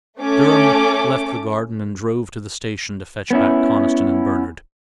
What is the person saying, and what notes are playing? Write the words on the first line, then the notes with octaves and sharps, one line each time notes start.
Durham left the garden and drove to the station to fetch back Conniston and Bernard.
A3 C#4 A4 D6
B3 C#4 E4